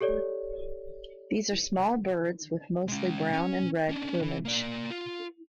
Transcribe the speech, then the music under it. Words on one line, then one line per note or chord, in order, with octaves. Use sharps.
These are small birds with mostly brown and red plumage.
G4 A4 C#5 D5
G#3 C#4
C#4
C#4 D4
E3
A#3 D5
F4